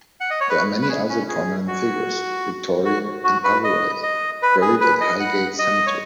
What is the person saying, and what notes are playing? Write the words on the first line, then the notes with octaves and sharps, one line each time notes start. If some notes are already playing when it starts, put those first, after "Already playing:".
There are many other prominent figures, Victorian and otherwise, buried at Highgate Cemetery.
F#5
D#5
C#5
B4
B4
G#4
C#4
G#4
F#4
F#4
F#4
B4
D#5
D#5
B4
G#4
B4
D#5
F#5
D#5
C#5